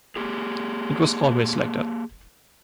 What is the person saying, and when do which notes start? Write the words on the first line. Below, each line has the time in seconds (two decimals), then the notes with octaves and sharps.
It was always like that.
0.16 A#3 G4 G#4